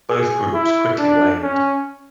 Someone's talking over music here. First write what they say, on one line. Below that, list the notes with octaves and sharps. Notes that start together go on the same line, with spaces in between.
Both groups quickly waned.
G#4
E4
D4
C#4